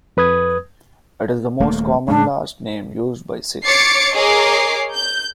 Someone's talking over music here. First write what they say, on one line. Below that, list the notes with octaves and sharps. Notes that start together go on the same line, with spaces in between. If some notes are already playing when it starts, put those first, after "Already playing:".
It is the most common last name used by Sikhs.
F2 B4 D#6 G#6
D#1 A3 A#3
A2 G3 G#3 D4
C#5 D6 A6 C7 C#7
G#4 A#4 C#5 D#5 D6 C7
G6